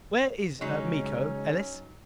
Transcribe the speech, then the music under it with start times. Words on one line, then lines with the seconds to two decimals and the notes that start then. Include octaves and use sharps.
"Where is Miko, Ellis?"
0.61 C#3 F#3 G#3 C#4 D#4